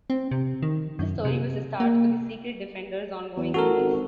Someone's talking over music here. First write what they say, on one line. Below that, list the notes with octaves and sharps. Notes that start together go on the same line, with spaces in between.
This story was the start for the "Secret Defenders" ongoing series.
C4
C3
D#3
F#2
C3
A#3
E2
A1 F#4 A4 A#4
G#1